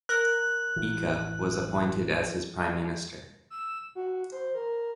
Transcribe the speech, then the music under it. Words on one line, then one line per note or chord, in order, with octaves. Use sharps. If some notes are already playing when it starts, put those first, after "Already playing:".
Ika was appointed as his prime minister.
A#4 F#6
A1 E3
E6
F#4
C5
A#4